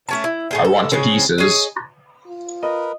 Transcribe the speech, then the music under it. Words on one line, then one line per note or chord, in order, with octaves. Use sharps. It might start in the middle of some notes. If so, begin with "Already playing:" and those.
I want to pieces.
A3 C#4 A5
E4
A2 G#4 C5
A4
C#3 G#3 C4 C#4
G#4 C#5 D#5
F4
A#4 B4 D#5